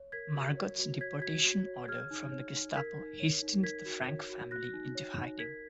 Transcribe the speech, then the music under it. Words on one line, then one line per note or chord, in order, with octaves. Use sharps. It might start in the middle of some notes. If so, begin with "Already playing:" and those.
Margot's deportation order from the Gestapo hastened the Frank family into hiding.
Already playing: C#5
A#4 G#6 B6
F#4
C#5
F#4
C#5 G#6 B6
F#4 G#6 B6
F#4
C#5
G#4 F6 G#6
D#4
C#5
D#4
A#4 G#6 B6
D#4
C#5
D#4
A#4 G#6 B6
F#4
C#5
F#4
F#4 F#6 A#6
D#4
C#5
D#4
A#4 G#6 B6